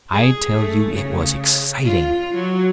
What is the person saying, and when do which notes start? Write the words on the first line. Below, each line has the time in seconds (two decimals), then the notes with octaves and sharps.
I tell you it was exciting.
0.12 G#4
0.54 A3
0.94 C#3
1.84 F4
2.34 F#3